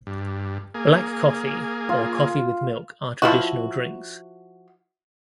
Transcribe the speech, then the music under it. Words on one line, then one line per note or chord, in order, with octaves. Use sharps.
Black coffee or coffee with milk are traditional drinks.
G2
A#3 G#4
F4
F3 E4 F#4